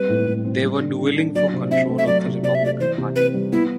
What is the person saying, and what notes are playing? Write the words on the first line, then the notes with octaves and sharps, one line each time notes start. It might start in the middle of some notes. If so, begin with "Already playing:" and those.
They were dueling for control of the Republican Party.
Already playing: G3 C4 B4
A2
A2
C4
G3
D3
D3
D4
F#3 D5
C3
C4 E5
A3
E5
F#3 D5
C3
C3 D5
E5
A3 D5
E3 C5
C3
C4 B4
G3
B3 E4